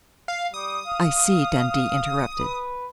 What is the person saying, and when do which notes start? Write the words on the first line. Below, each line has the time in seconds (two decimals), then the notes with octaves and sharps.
"I see," Dundee interrupted.
0.28 F5
0.54 G3 D#6
0.86 F5
2.40 B4